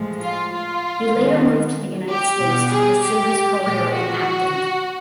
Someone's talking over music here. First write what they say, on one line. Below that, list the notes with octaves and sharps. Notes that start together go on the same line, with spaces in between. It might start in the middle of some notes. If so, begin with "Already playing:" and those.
He later moved to the United States to pursue his career in acting.
Already playing: A2 F3 G#3
F4
F4
D#3 G#3 B3
G4
B2 G3 B3
G#4
G4
A#2 F3 G#3 G4
F#4